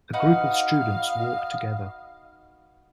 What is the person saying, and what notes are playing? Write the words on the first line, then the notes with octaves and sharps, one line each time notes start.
A group of students walk together.
D#4 F#4 B4 D#5 F5